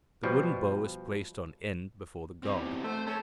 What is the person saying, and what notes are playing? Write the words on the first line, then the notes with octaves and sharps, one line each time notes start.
The wooden bow is placed on end before the god.
B2 F3 G3
E2 C3
A3 C5
C#4 A4